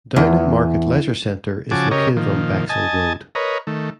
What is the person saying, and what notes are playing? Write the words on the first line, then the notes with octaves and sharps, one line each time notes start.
Downham Market Leisure Centre is located on Bexwell Road.
E2
C#3 F3 F#4 G#5 A5 D6
C#3 G4 A#4 C#5 D#5
A#2 D#3 F3
D#5 G#5 A5
A#4 B4 C#5 D#5
D#3 A3